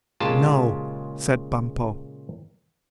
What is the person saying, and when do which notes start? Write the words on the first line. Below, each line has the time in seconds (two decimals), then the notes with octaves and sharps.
"No," said Bumpo.
0.20 A#2 C#3 G#3 F4 G4 A5